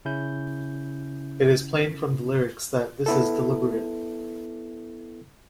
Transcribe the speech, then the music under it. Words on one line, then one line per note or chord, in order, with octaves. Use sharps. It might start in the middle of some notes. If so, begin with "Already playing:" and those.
It is plain from the lyrics that this is deliberate.
C#3 C#4 E4 G6
B3 E4 A4